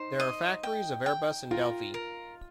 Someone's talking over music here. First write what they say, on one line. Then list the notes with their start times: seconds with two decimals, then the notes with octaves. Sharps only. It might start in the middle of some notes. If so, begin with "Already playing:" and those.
There are factories of Airbus and Delphi.
Already playing: D#4 C5
0.20 D#5
0.63 G5
1.06 G5
1.51 F4 A#4
1.94 A#4